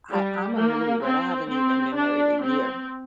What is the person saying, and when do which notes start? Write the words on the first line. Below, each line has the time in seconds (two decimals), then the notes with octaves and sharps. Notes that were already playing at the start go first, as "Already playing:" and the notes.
I I'm a newlywed, I haven't even been married a year,
0.10 G3
0.56 A#3
1.03 C4
1.49 C4
1.95 D4
2.42 C4